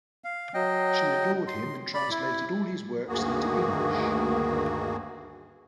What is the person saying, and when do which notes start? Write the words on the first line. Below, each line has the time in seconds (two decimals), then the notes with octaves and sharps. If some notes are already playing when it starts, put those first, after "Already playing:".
She adored him and translated all his works into English.
0.24 F5
0.54 F#3 D#5 G5
1.47 C6
1.94 D5 B5
2.10 E4
3.08 D2 G2 D#3 A#3 F#4 G#4